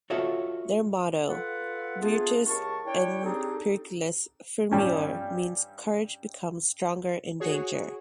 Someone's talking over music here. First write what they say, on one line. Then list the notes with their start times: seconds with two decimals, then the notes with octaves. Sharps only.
Their motto "Virtus in periculis firmior" means "Courage becomes stronger in danger".
0.10 F4 F#4 A4 C#5 D#5 E5
1.28 F4 A4 B4 F#5
2.00 A3 B3 D4 F4 G#4
2.47 C#2 G4 A#4 A5 C#6
2.85 D4 E4 C#5 G5
3.23 G3 C4 D4 D#4 G#4 A4
4.71 G2 G3 C#4
7.40 F#4 G#4 C#5